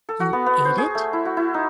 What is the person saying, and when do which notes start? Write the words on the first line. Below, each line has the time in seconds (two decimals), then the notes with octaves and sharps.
"You ate it?"
0.09 A4
0.20 F#4
0.33 B3
0.46 B3
0.65 C5
0.78 G#4
0.95 A3
1.13 E4
1.25 F#4
1.37 E4
1.54 D#4